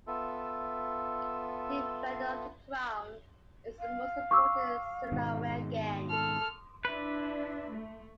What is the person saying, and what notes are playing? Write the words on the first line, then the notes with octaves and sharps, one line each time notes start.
"Defender of the Crown" is the most ported Cinemaware game.
B3 F4 A4 E5
F5
C#6 D6 E6
G#2 B2 D#3
A4 F6
D4 E4 B4 E5
A3